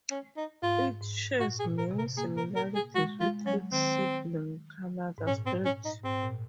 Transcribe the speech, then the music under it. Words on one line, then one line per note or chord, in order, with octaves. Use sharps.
It shares many similarities with its sibling Kannada script.
C#4
D#4
G#2 F4
G#2
A#2 F#4
G#4
A#2
A#4
C3
A#4
A#3 G#4
A#4
A#4
G#4
G#3 F#4
G#3 F4
G#3
F#3 C#4
D#3 C4
G#2
A#2 C#4
C4
C#4
D#4
G#2 C4
A#2